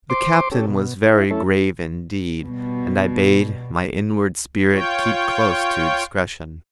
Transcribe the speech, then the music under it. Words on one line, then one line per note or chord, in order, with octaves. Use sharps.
The captain was very grave indeed, and I bade my inward spirit keep close to discretion.
C5 C6 D6
C#4 G4 A4
B2
E4
A3 C#4 E4 A4
B2 G3
F4 C#5 G5